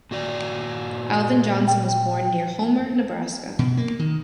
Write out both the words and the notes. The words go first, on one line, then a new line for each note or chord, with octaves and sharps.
Alvin Johnson was born near Homer, Nebraska.
A#2 F#4 D5
G5
B2
A#3
D#3